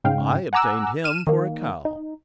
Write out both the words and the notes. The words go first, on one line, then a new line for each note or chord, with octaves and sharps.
"I obtained him for a cow."
G#2 C#3 G#3 F5 G5
F#5 G#5 A#5 D6 E6 F#6
F6 D#7 E7
D#3 A#3
D#4